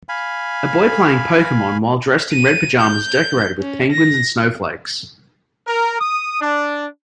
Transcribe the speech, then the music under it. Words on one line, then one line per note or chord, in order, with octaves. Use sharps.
A boy playing Pokemon while dressed in red pajamas decorated with penguins and snowflakes.
F5 G#5 B5
D#7
G6
C#4
A#6
A#4
D#6
D4